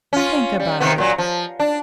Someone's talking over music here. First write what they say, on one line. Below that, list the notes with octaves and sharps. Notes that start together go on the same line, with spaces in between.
Think about it.
C#4 F4
G3
C3 D#3 B3
A#2 F#3
F3
D4